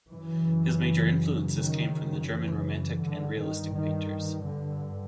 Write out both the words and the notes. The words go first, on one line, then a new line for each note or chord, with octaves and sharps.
His major influences came from the German Romantic and Realistic painters.
F#2 C#3 E3
D#3
E3
G2 D3
D#3
D#3
D3